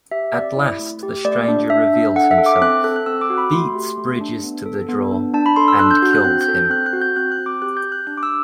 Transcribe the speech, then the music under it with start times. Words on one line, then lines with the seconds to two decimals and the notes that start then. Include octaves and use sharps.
At last the Stranger reveals himself, beats Bridges to the draw, and kills him.
0.11 G4 E5
0.34 C4 D5
0.57 E4
0.79 A3
1.03 G4
1.24 A3 D5
1.48 D4
1.70 D4 E5
1.93 D4
2.16 A4 F#5
2.31 E5
2.38 A4
2.46 D6
2.61 C4 F#6
2.84 A4 F#6
2.96 F#6
3.06 C4 E6
3.21 D6
3.30 F#4
3.38 B5
3.53 A3 C6
3.75 G4
3.97 A3
4.21 D4
4.43 B3
4.66 A4
4.89 B3
5.12 D4
5.34 D4 A5
5.46 B5
5.56 A4 C6
5.68 E6
5.79 D4 F#6
5.91 G6
6.02 F#4 G6
6.13 F#6
6.25 C4 F#6
6.41 G6
6.48 A4
6.55 G6
6.70 C4 F#6
6.86 F#6
6.93 F#4
7.01 G6
7.16 C4 F#6
7.32 F#6
7.38 C4
7.46 D6
7.62 G4 F#6
7.77 G6
7.84 G4
7.92 F#6
8.07 D4 F#6
8.17 D6
8.23 E6